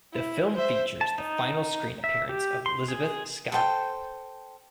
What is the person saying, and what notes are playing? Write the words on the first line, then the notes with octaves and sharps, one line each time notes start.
The film features the final screen appearance of Lizabeth Scott.
E4
C5 E5
A5
D#4
E5
G4
C6
G#4
A4 C5 G5 A5